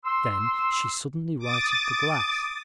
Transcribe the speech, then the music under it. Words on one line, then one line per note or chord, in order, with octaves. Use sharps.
Then she suddenly righted the glass.
C6 E6
D6 D#6 A6